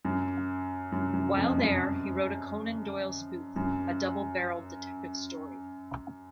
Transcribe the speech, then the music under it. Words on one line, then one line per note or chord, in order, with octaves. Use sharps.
While there, he wrote a Conan Doyle spoof, "A Double-Barreled Detective Story".
F#2
F#2
F#2
F2
F#2
F#2